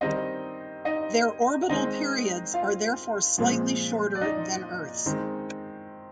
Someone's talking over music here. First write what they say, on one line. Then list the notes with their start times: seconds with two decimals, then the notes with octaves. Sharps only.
Their orbital periods are therefore slightly shorter than Earth's.
0.01 D#3 G3 C4 D#4 D#5
0.85 D#4 D#5
1.69 D#3 G#3 C4 D#4 D#5
2.54 F4 F5
3.38 A#2 F3 G#3 C4
4.15 D5
4.21 D#4 D#5
5.06 D#3 G#3 C4